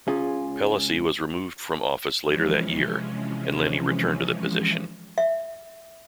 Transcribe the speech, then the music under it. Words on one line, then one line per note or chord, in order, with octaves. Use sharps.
Pellissey was removed from office later that year, and Lennie returned to the position.
C#2 C#4 F4 G#4
C3 E3 F3 G#3 C#4
E5